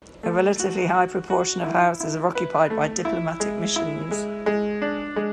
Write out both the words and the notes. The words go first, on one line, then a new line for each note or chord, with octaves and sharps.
A relatively high proportion of houses are occupied by diplomatic missions.
A3
F#4
F#4
F#4
E4
E4
B4
A3
E4
G#3
E4
G#3
G#3
D4
G#3